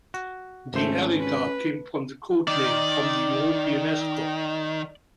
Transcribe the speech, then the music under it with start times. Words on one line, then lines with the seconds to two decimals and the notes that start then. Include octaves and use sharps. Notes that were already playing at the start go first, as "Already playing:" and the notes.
The "Erika" came from the code-name from the European Escort.
0.14 F#4
0.74 G#1 A3 C#4 C5
1.19 B4
2.48 D#3 D5